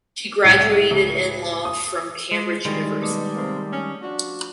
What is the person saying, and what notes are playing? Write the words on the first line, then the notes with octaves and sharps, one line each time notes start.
She graduated in law from Cambridge University.
C2 A2
C#2
D#6
G#3
D#3 G3 G#3
B2 A3 D6 D#6
C3 A#3 C4
C#4
F3 D4 F#4